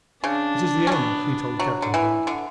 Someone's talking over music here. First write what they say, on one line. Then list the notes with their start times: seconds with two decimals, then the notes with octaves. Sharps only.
"It is the end," he told Captain Blood.
0.24 C#3 D4
0.87 C#4
0.92 B3
1.59 F#3
1.82 D3
1.94 E3
2.27 D3